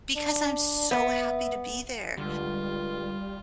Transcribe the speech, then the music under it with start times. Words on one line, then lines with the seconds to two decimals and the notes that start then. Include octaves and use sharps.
because I'm so happy to be there,
0.16 D4
0.91 B3 E5
2.17 C#2 D3 G3 F4